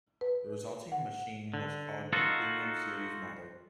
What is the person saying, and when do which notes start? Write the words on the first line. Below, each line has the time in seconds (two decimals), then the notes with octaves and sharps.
The resulting machine was called the "Premium Series" model.
0.21 B4
0.92 F#5
1.54 D3
2.13 D#4 F4 F#4 A4